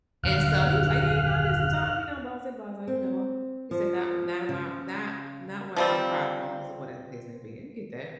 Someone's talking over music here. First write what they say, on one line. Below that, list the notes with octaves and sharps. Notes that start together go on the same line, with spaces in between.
and so he was, like, "Yeah, you know, I did some time, you know," blasé, blasé, you know. He said, "Not not of my not not one of my prouder moments or whatever case may be." I get that.
D#1 F#2 D3 F5 F6 F#6
C4
F3
C#3
F3 G3 C4